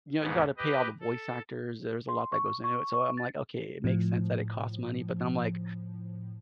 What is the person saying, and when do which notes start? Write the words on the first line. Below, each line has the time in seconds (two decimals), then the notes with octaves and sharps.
you know, you gotta pay all the voice actors, there's a lot that goes into it. So, I'm like, "Okay, it makes sense that it costs money." But then I'm like
0.20 D#2 G#2 C#3 B3
0.58 G4 B4 D#5
1.01 A4
2.09 C6
2.32 C#6
2.64 C#6
2.93 C#6
3.17 A6
3.84 A2 F3